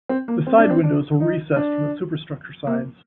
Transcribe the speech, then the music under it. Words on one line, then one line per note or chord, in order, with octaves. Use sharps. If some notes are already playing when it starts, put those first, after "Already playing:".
The side windows were recessed from the superstructure sides.
C4
A#3
C4
D4
C4
D4
D#4
D4
A#3